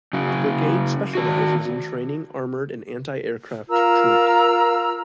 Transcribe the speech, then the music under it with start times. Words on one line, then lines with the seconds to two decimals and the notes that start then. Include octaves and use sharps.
The brigade specialises in training armoured and anti-aircraft troops.
0.13 C#3 F#3
1.15 D#3 F#4
3.69 F4 A#4 A#5 E6